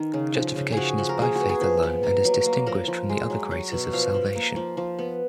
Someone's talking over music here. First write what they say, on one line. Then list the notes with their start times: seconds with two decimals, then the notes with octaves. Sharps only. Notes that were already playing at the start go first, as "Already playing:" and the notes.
Justification is by faith alone and is distinguished from the other graces of salvation.
Already playing: D#3 D#4
0.13 C#3
0.35 F3
0.56 C#3
0.72 F3 F#4 G#4
0.98 F3
1.09 A#4
1.19 A#3 G#4
1.35 B3 F#4
1.49 G#4
1.61 F3
1.83 B3
2.03 A#3
2.25 F#3
2.46 A#3
2.67 F3 A#4
2.88 F3
3.09 G#3
3.30 F#3
3.51 F#3
3.72 B2
3.93 F3 F5
4.14 F3
4.35 A#3
4.56 F3
4.77 F3
4.99 B3